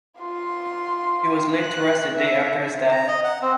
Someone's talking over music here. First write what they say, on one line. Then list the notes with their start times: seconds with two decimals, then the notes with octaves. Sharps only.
He was laid to rest a day after his death.
0.20 F4 C6
1.58 F#6
2.14 E5
2.92 A#5
3.08 D#5
3.24 F#5
3.42 C4